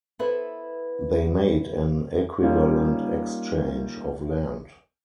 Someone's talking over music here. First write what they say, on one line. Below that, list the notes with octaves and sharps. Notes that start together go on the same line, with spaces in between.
They made an equivalent exchange of land.
B3 E4 A4 B4 C5 E5
G3 A#3 C#4 D#4 F4 G4